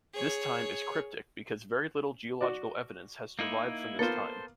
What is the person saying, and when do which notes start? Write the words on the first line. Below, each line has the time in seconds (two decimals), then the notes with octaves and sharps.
This time is cryptic because very little geological evidence has survived from this time.
0.13 G#4 C#5
2.41 F#4 D5
3.39 A#3 D#4 E4
3.99 A#3 B3 F4 A4 C5